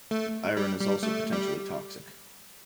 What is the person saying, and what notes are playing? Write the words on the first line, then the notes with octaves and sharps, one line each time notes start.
Iron is also potentially toxic.
A3
G3
G3
A3
G3